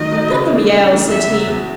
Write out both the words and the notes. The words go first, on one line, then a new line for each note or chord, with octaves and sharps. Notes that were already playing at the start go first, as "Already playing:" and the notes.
'Let them yell!' said he.
Already playing: D#3 F#3 A3 D#5
F#3 A3
C#3
E3 A3 D4
C#3
E3 A3 D4
E2 E5
C#3 F#3
E2